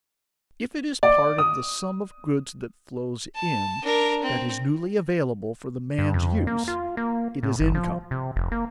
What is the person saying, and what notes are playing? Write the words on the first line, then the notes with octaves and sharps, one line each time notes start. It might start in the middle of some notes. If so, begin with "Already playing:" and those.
If it is part of the sum of goods that flows in, that is newly available for the man's use, it is income.
D5
D#6
A5
D4 A#4
C4
G2
F2
A#3
F4
A#3
A2
G1
F3
C3
F1
A#3